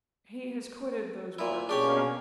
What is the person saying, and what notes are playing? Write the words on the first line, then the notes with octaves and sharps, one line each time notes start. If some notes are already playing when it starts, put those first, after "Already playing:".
'He has quitted those works.
A#2 E4
B2 A#3 C#4 D4 G4 G#4 C#5 C#6